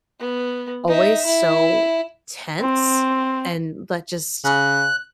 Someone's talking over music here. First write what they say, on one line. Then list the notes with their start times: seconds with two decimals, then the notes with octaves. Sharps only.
always so tense and like, just,
0.20 B3
0.88 D#4 E5
1.25 E4
2.59 C4
4.44 C#3 F#6